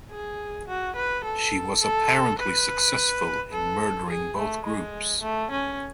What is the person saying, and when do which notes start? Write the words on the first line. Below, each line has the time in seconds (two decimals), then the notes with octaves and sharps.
She was apparently successful in murdering both groups.
0.10 G#4
0.68 F#4
0.96 B4
1.24 A4
1.81 A4
2.38 B4
3.52 A4
4.09 G#4
4.37 A3
4.65 G#3
5.22 A3
5.51 C#4